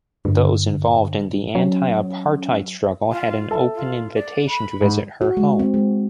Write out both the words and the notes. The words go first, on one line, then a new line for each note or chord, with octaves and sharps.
Those involved in the anti-apartheid struggle had an open invitation to visit her home.
G2 D3
F#3 C#4
F4
A4 E5 A5
F4
D5
B5
G#2
F#4
G#3
C4
G#3